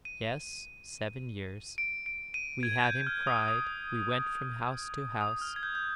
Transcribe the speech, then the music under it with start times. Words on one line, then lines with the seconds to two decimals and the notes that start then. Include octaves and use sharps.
'Yes, seven years: we had him cried--we went from house to house.
0.05 D#7
1.78 D7
2.06 D7
2.34 D#7
2.63 G#6
2.84 G6
3.07 F6
3.27 D#6
3.48 D#6
5.21 D#6
5.42 F6
5.56 G#6
5.63 G6
5.75 G6